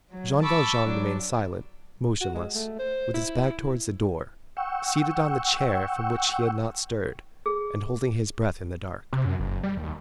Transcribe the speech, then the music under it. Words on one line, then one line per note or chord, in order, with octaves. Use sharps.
Jean Valjean remained silent, motionless, with his back towards the door, seated on the chair from which he had not stirred, and holding his breath in the dark.
F#3
A5 B5 C#6 D6 E6
F#3 D4
F#4
G#3
A3
C5
E4
F#5 G5 C#6 E6
G#4
C3
F#2
F#1
G3
D#2